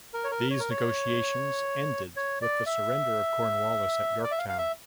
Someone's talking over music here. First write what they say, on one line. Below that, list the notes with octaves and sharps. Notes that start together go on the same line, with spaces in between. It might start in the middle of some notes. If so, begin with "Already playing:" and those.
These negotiations ended with the surrender of Cornwallis at Yorktown.
A#4
C#5
A#4
C#5
A#4
C#5
C#5
D5
E5
D5
E5
F5
F5
E5